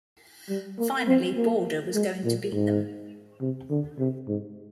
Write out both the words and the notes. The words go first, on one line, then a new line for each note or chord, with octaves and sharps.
Finally Border was going to beat them.
G3
A#3
C4
A#3
G#3
A#2
G#2
C3
D3
C3
G#2